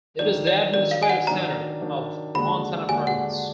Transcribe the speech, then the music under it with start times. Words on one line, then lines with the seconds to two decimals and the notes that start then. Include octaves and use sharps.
It is the administrative centre of Montana Province.
0.19 D#3 F#3 D4 D5
0.47 D5
0.73 D#3 F#3 D4 D5
0.91 F5
1.03 G#5
1.09 F#5
1.27 D#3 F#3 D4 A#5
1.81 D#3 F#3 D4
2.35 D#2 D3 G#3 D4 F#4 B5
2.89 D#2 D3 G#3 D4 F#4 G#5
3.07 F#5